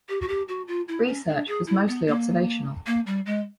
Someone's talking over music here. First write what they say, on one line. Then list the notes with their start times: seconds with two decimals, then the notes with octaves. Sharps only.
Research was mostly observational.
0.09 G4
0.21 F#4
0.28 G4
0.48 F#4
0.68 F4
0.88 E4
1.07 C#4
1.28 D4
1.48 G#4
1.67 E4
1.88 B3
2.07 A#3
2.87 A#3
3.07 G3
3.26 G#3